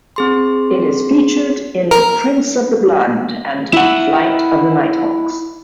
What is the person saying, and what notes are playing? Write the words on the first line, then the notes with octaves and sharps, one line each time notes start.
It is featured in "Prince of the Blood" and "Flight of the Nighthawks".
C4 G#4 C6
A#4
E4 F#5